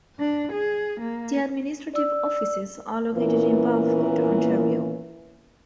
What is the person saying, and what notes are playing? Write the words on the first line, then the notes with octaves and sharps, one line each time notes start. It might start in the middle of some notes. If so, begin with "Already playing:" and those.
The administrative offices are located in Burford, Ontario.
D4
G#4
A#3
D5 E6
A#2 E3 A#3 B3 C#4 A#4